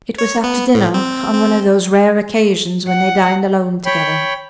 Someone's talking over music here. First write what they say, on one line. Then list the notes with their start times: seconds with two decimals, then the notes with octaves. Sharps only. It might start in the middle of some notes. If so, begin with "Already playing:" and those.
It was after dinner on one of those rare occasions when they dined alone together.
0.18 C#5
0.44 B3
0.74 A2
0.94 C4
1.34 C4
2.88 F#5
3.86 C#5 G5 B5